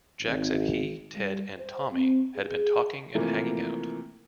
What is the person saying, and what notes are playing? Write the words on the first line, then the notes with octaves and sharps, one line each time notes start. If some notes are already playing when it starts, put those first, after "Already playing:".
Jack said he, Ted, and Tommy had been talking and hanging out.
G#1
G3
C5
C4
G#4
C3 E3 F3 A3 A#3